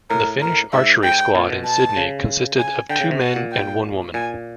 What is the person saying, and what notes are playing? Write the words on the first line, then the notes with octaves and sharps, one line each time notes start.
The Finnish archery squad in Sydney consisted of two men and one woman.
A2 A#4
A#4
G#2 E5
G5
A#2
B2
A5
C#3
G#5
D3 G5
C#3
C3
B2 F#5
A#2
G5
A#2 G#5